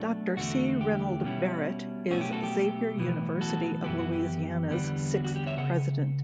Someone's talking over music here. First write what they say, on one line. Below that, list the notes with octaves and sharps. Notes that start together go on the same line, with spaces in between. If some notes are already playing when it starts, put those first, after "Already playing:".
Doctor C. Reynold Verret is Xavier University of Louisiana's sixth president.
Already playing: B1 B2 A3 D4
E2 D3 A3 F#4
G4
B2 G3 C#4 E4
B1 B2 A3 C#4 F#4
G4
F#4 A4
G4
B1 A2 E3 B3
F#4 A4
F#2 E3 B3 E4 G4
F#4
G4
E2 D3 G3 B3
F#4
F#4
G4
C#5 E5
C#2 C#3 F#5